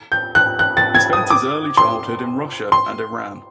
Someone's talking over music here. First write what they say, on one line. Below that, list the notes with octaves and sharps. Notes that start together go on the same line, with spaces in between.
He spent his early childhood in Russia and Iran.
G6
F#6
F#6
A6
G#6
D#6
D6
C6
C6